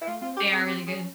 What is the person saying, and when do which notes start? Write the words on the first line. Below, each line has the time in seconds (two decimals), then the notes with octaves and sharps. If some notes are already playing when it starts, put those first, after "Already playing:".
They are really good.
0.01 E4
0.07 A3 F4
0.21 C4 F4
0.37 C#4 G4
0.51 C4 G#4
0.67 C4 G4
0.87 C#4 G#4